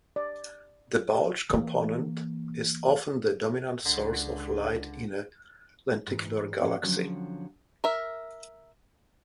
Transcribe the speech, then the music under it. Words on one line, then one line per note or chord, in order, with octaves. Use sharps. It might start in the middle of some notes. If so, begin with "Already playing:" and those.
The bulge component is often the dominant source of light in a lenticular galaxy.
D5
E3 A#3
C#2 D3
G#2 E3
A2 F3 C#4 F#4 B4 F#5
D3 F3 F#3 C#4 G5
A#4 E5